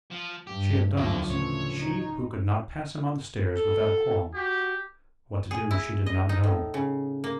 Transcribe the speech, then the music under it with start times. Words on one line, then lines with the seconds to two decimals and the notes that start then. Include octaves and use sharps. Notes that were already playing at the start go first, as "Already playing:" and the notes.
She had done this--she who could not pass him on the stairs without a qualm. What to do she did not know.
0.11 F3
0.47 G2 G4
0.97 D2 F3 F#3 A#3 G4 E5
1.30 D2 A2 C#3 E3 C#5
1.78 D#4
3.55 A4
4.34 F#4 G4
5.51 G#4
5.71 E4
6.06 D#5
6.29 D#4
6.44 A2
6.74 C#3
7.24 A#3